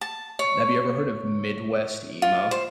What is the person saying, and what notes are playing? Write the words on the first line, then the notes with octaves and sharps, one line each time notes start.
Have you ever heard of Midwest emo?
A5
C#5
F4
C5